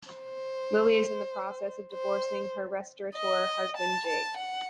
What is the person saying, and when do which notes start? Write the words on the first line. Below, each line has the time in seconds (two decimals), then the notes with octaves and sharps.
Lily is in the process of divorcing her restaurateur husband, Jake.
0.10 C5
1.93 C5
3.15 D#5
3.77 A5
4.07 A5
4.38 F#5